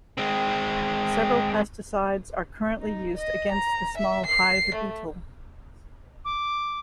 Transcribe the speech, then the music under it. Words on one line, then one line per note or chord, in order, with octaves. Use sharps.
Several pesticides are currently used against the small hive beetle.
G#3 C4 G5
D#4
D#5
A#5
E5
C7
A3
D6